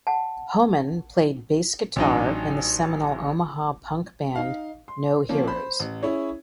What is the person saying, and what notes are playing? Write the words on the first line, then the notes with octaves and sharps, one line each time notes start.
Homan played bass guitar in the seminal Omaha punk band No Heroes.
F#5 A5
A1 F#3 D4 D#4
D#4 F5
C6
F3 A#3 C4 C#4
C5 B5
A1
C#4 E4 G#4 C#5